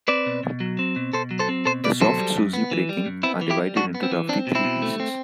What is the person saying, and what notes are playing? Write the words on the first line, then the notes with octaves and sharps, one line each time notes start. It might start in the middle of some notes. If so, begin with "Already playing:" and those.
The soft susy breaking are divided into roughly three pieces.
C4 B4 D5
B2
B2
F#3
C4
B2
B2 A4 C5
F#3
A4 C5
C4
B2 A4 C5
B2 B4 D5
F#3 A4 C5
G3
F#2
B3
E3
G3
F#2
B3 C4 E4
E3
E4 G4
G3
F#2 D4 F#4
B3
C4
E3
C4 D4
B2
C4 E4
B2
A3
C4